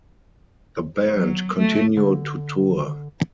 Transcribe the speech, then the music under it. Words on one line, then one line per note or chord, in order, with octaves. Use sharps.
The band continue to tour.
F#3
A3
D3